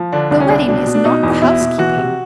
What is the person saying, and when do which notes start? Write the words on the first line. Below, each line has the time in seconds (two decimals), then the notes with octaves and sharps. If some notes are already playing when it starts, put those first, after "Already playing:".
The wedding is not the housekeeping.
Already playing: F3
0.12 D3 D4
0.31 C2 D4
0.40 C#4
0.49 C2 D4
0.67 B2 D4
0.86 B2
0.94 D4
1.05 B2 D#4
1.23 E2
1.42 B2 E4
1.60 B2
1.78 E3 F#4
1.97 C3